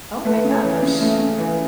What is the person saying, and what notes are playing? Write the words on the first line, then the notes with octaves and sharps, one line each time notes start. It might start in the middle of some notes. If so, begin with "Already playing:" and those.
Oh my gosh.
A3 B4
C#3
C#5
E3
D5
C#3
A3
C#3
E3